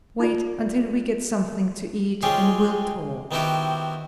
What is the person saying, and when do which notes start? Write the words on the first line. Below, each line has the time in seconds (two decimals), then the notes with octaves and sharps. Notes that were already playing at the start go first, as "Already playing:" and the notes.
Wait until we get something to eat, and we'll talk.
0.20 D#4 F4 D5
2.23 G#3 C4 C#4 F4 G4 G#4
3.31 D#3 B3 C4 E4 F#4 G4